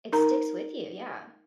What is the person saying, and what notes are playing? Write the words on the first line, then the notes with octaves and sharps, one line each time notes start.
it sticks with you, yeah.
D#4 A#4 A#5